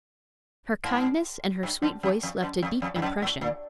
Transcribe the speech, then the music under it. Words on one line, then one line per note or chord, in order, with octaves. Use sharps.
Her kindness and her sweet voice left a deep impression.
G#2
G2
F#2
F2
F2
F#2
F2
F2
G2
F#2
A2
A#2